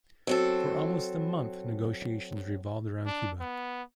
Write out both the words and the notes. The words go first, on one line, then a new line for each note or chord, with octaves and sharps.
For almost a month, negotiations revolved around Cuba.
F#3 C4 A4
D4
B3